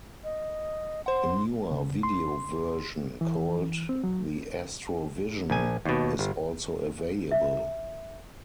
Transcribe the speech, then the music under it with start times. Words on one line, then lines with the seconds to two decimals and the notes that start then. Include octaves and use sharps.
A newer video version, called the Astrovision, is also available.
0.24 D#5
1.06 C5 F#5 C6
1.71 C#3
2.03 C6
3.21 E3
3.89 C4
4.04 F#3
5.50 A#1 G#5
5.85 D#2 B2
6.19 G1
7.31 E5